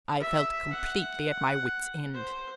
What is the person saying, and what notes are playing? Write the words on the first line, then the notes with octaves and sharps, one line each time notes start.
I felt completely at my wit's end!
E5
F#5
C5